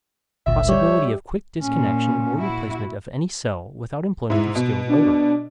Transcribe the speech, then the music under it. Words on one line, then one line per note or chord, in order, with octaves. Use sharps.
Possibility of quick disconnection or replacement of any cell without employment of skilled labor.
G1 C#2 A#2 E5
G3 G4 C#5
A#2 C#4
A#2 E4 F#4
G#2 G#3 E4
B2
D4